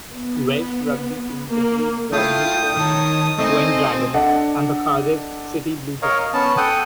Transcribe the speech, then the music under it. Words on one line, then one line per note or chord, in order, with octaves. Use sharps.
Welsh rugby teams include the Newport Gwent Dragons and the Cardiff City Blue Dragons.
B3
A#3
A3 E4 F4 G5 D#6 G6
D#3 C#5 A5
A3 C4 D#4 D#5 G#5
D4 A4 D#5 F#5
A#4 C#5 D#5 F5
F5
B3 C#4 A5
A4 F#5 G5 D#6